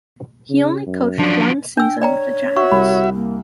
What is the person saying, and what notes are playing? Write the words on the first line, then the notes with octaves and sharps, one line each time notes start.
He only coached one season with the Giants.
C#3
F#2
F3 F#3 D4
D4 G5 E6
C#5 D5 G5 A#5
F#4 E5 C#6
C2 B5
A#3